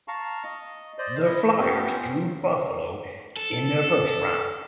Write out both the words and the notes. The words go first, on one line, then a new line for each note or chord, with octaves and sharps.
The Flyers drew Buffalo in the first round.
F5 A5 A#5 C#6
D#5
C5 D5 D#5
E4 D#5
B3 C#4 F4 G4
A4